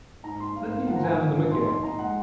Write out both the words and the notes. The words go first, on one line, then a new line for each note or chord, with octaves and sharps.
Let me examine them again.
G#2 A#5
G#2 C6
G#2 F5
A#3 F5
F3 F#5
A#5
G#2 G#5
G#2
F3
D#4 C6
D#4 C6
D#4 A#5
G#3 F#5